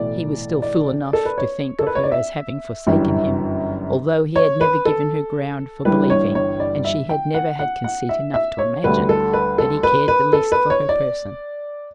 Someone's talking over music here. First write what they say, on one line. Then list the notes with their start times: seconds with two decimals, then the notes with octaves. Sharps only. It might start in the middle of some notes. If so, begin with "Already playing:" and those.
He was still fool enough to think of her as having forsaken him, although he had never given her ground for believing, and she had never had conceit enough to imagine, that he cared the least for her person.
Already playing: B1 A2 E3 D5
0.62 D5
1.13 A4
1.25 B4
1.38 C#5
1.79 A4
1.87 B4
1.95 C#5
2.04 D5
2.12 E5
2.87 G1 F#2 E3 G3
4.36 C#5
4.61 B4
4.85 A4
5.85 G1 G2 E3 G3 B4
6.10 C#5
6.35 C#5
6.60 D5
6.84 E5
7.09 G5
7.34 F#5
7.59 F#5
7.84 F#5
8.09 E5
8.34 E5
8.59 C#5
8.84 D2 D3 G3 B4
9.09 A4
9.33 B4
9.58 A4
9.83 B4
10.08 B4
10.33 A4
10.52 B4
10.70 C#5
10.89 D5